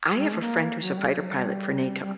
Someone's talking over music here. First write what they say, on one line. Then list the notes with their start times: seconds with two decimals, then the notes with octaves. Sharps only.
I have a friend who's a fighter pilot for NATO,
0.16 G3
0.26 G#3
0.33 A3
0.41 A#3
0.82 F#3
0.98 G3
1.13 F#3
1.30 G3
2.02 G3